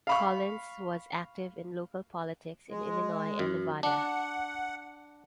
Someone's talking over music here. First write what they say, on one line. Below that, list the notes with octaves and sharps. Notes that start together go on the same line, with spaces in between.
Collins was active in local politics in Illinois and Nevada.
F5 B5 C#6
G#3
F#2
D4 F#5